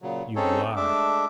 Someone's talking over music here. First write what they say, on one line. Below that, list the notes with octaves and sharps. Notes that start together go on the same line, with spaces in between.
"You lie!"
A#2 C#3 F#3
C4 C#4 D#4 G#4 A4 C#5
G#3 A3 D4 E5 D6